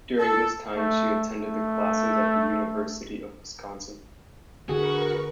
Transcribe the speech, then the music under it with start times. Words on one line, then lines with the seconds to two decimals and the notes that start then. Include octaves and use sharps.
During this time she attended the classes at the University of Wisconsin.
0.18 A4
0.76 A3
1.37 A3
4.69 D3 F#4 G#4 A#4 B4 C#6